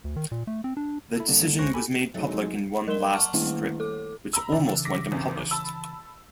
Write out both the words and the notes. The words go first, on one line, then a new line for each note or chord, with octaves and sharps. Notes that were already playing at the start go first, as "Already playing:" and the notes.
The decision was made public in one last strip, which almost went unpublished.
D2
D#3
A#2
A3
C4
D4
E4 A4
D3 G3 A#3
C#2 C#4 C5 C#6 F#6 A#6
G4 A4 G#5 B5
C3 F#3 G#3 A3 D#4
F#3 A#4 D#5 C6 E7 G7
F#5 A5 A#5 C#6 D6 F6
D#3 G3 A3 A#3 E4
A4 D6
A#5 B5 E6
C#3 E3 D4
D6 A#6 B6
G#1 E2 C3
A5 B5 E6